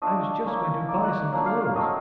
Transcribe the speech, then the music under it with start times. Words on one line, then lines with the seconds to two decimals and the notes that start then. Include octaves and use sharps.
I was just going to buy some clothes.
0.02 A3 D4 F4 D#5
0.45 A#3 C#4 E4
0.88 A#3 D#4 D5
1.03 F#5
1.32 F#3 A#3 D4 F4 F#5
1.46 F5
1.61 F5
1.75 F#3 A3 C4 D#5